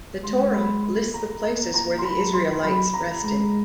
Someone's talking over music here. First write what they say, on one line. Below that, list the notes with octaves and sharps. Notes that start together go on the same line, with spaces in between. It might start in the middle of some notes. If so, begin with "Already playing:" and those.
The Torah lists the places where the Israelites rested.
G#3 C6
B5
B5
A#5
A#5
A#3 A#5
C6
F#3 B5
C6
F#3 B5
A#5
G#3 A#5